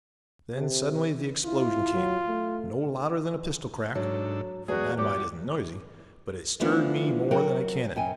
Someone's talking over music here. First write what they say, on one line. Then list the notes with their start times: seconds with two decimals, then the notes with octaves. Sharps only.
Then suddenly the explosion came--no louder than a pistol-crack, for dynamite isn't noisy, but it stirred me more than a cannon.
0.55 C3
1.45 E4 F4
1.94 F#3
2.28 A3
3.95 G#2 F#3 D4 A4
4.68 E2 G#3 F#4 G#4
4.98 G3 F#4 G4 D6
6.60 E3 F3 A3 B3 D4 F4
7.31 F#3 F#4 A#4 G5
7.96 F#2 G5 G#5